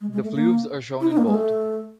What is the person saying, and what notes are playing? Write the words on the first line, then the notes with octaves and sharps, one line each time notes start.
The "fleuves" are shown in bold.
G#3
G#3
A3
A#3
E4
D#4
A#3
G#3
A3